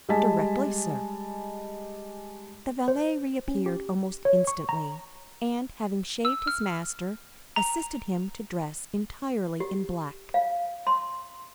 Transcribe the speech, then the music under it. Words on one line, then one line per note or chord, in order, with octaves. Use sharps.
"Directly, sir." The valet re-appeared almost instantly, and, having shaved his master, assisted him to dress entirely in black.
G3 G#3 D#5 G#5 A5 B6
C5
C#4
G4
C#5
C#6
A#5
E6
F6
A#5
G4
F5
C6